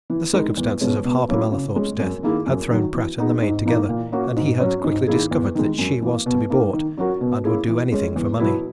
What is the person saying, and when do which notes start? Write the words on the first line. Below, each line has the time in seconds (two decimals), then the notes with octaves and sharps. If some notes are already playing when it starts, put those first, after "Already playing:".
The circumstances of Harper Mallathorpe's death had thrown Pratt and the maid together, and he had quickly discovered that she was to be bought, and would do anything for money.
0.10 E3
0.33 G#3 D#4 A#4
0.57 E2
0.81 B2 G#3 C#4
1.05 B2
1.29 F#3 A#3 C#4 E4
1.52 C#3
1.76 G#3 C#4
1.99 F#2
2.23 D#3 A#3 E4 G#4
2.46 F#2
2.70 D#3 F#3
2.94 E3
3.18 B3 D#4 G#4
3.42 G#2
3.65 E3 A#3 D#4 A#4
3.89 A#2
4.12 A#3 C#4 F#4 A#4
4.36 G#2
4.60 F#3 C#4
4.84 G#2
5.07 D#3 A#3 E4 G#4
5.31 E2
5.55 D#3 G#3
5.78 F#2
6.02 E3 A#3
6.26 B2
6.50 A#3 D#4 A#4
6.73 D#3
6.97 F#3 C#4 F#4 A#4
7.21 B2
7.45 A#3 C#4 E4 G#4
7.68 E3
7.92 G#3 C#4 G#4
8.16 E2
8.40 B2 F#3 B3 E4